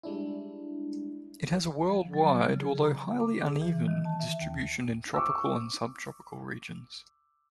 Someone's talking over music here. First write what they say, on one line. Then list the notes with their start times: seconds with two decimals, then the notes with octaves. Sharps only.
It has a worldwide, although highly uneven, distribution in tropical and subtropical regions.
0.03 G3 G#3 D4 E4
1.89 F3
2.14 F#3
2.38 C#3
2.60 G#4
2.82 A#5
3.20 D6
3.43 G#4
3.62 E3
3.88 D#3
4.05 A5
4.20 E5
4.42 D#2
5.14 C#6 D6 E6